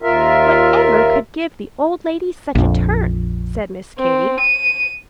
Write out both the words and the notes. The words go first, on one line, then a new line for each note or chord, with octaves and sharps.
"Whatever could give the old lady such a turn?" said Miss Katy.
D#2 F4 A#4 E5
A#1 F2
C4
D#7